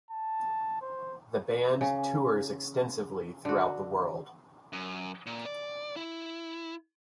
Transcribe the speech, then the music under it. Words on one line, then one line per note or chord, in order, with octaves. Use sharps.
The band tours extensively throughout the world.
A5
C5
C#3
D3 F#4
F#2
A#2
D5
E4